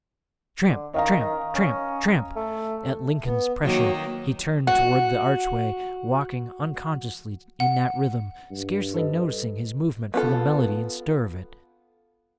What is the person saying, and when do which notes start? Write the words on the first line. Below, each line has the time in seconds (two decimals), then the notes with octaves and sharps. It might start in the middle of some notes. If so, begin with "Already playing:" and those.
Tramp, tramp, tramp, tramp; at Lincoln's pressure he turned towards the archway, walking unconsciously in that rhythm, scarcely noticing his movement for the melody and stir of it.
0.69 D3
0.94 D#3 D#5 F5 A#5
1.55 C#4
2.36 A3
3.25 B3
3.64 D#3 F#3 A#3 F#4
4.67 F#4 F#5
7.60 F#5
8.51 G2
8.94 A4 B4 D#5
10.14 B3 F4 A4